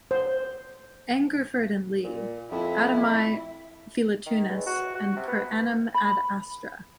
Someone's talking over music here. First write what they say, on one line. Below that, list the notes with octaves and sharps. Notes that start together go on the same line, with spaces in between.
Angerford and Lea, Adamai Philotunus and Per Anum Ad Astra.
C5
A#2
F2 E4
D#3
E2
F#4
F#4
C3
B3
B5